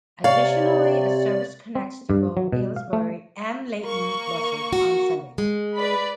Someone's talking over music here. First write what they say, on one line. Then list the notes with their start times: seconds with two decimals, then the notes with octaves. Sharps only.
Additionally a service connects to both Aylesbury and Leighton Buzzard on Sundays.
0.24 C3 C#5 D5 F5
1.75 C4
2.10 G2
2.37 F#3
2.52 B2
2.76 F5
2.93 A3
3.83 A#3 C#6
4.73 F#4
5.38 G#3
5.76 B4 D5 B5